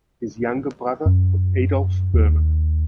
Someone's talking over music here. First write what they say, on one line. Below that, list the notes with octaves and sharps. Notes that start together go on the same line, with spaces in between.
His younger brother was Adolf Berman.
F#2
D#2